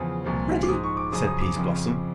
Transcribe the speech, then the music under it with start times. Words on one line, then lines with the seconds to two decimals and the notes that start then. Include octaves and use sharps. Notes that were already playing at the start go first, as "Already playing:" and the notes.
"Ready," said Peaseblossom.
Already playing: E2 C#3 F3 D#6
0.24 C2 A#2 F3
0.63 D6
0.68 G#2 F3 D#6
0.84 C#6
0.97 D6
1.12 F#2 C#3 F3 D#6
1.27 D#6
1.42 D6
1.56 F2 C#3 F3